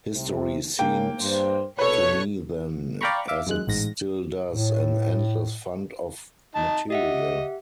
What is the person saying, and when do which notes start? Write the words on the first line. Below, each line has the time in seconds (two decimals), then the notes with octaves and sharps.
History seemed to me then, as it still does, an endless fund of material.
0.14 C2 C3
0.79 C#3 A#3 A#4 G5
1.20 G2 C5
1.79 C2 B2 A4 B4 C#5
3.01 D5 F5 G5 A#5 B5 C#6
3.28 E5 F5 D6
3.46 F#2 G#3 F#6
3.67 A1 G#2 A#6
4.51 A2
6.55 D#4 A5
6.90 G4 D#5 E5 F#5